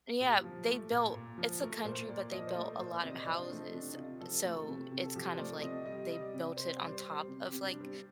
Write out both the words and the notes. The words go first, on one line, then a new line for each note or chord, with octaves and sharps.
Yeah. They built it's a country, but they built a lot of houses. So it's kind of, like, they built it on top of, like,
A#2 G4
F3
A3
A#2
A#2
F3
A3 A#4
A#2 C5
A#2 D5
F3 D#5
C5
A3 D5
A#4
A#2 C5
C3 D5
D#5
D5
F3 C5
D4
A3 D#4
C3 D4
D#4
C3 F4
F3 A4
A3
C3
C3
A4
F3 G4
C5
A3 D5
C3 D#5
G3 D#5
G3 D#5
D5
C3
C3 C5
G3
D5
C5
G3
C3
G4
C3
D4
G3
C4